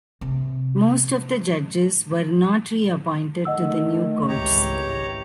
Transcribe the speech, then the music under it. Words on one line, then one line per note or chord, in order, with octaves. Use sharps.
Most of the judges were not reappointed to the new courts.
C3
D#3 A3 D#5 F#5 E6
G#1 C#2 E3 G4 C#5 A#5